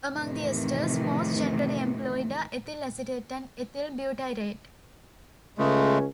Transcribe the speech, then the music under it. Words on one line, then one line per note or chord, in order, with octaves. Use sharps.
Among the esters most generally employed are ethyl acetate and ethyl butyrate.
F2 A2 C3 D#3 E3
C#2 C#3 G#3 A3 C#4